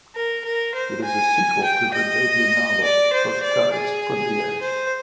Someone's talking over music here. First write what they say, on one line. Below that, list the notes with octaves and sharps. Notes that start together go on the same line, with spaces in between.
It is a sequel to her debut novel "Postcards from the Edge".
A#4
A#4
C5
G#5
G5
D#5
D5
C5
D5
G#4
C5